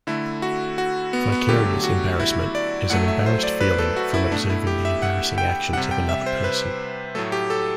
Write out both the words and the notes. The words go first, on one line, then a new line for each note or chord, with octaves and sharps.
Vicarious embarrassment is an embarrassed feeling from observing the embarrassing actions of another person.
D3 A3 E4
F#4
F#4
B3
B3
D3 F#3 A3 G4
F#4
E4
D5
A2 F#3 A3 F#5
E5
C5
D5
B4
A4
F#4
E4
B2 A3 D4
E4
G4
E5
F#5
G5
C3 G3 F#5
G5
E5
C5
B4
A2 F#3 A3 A4
G4
A4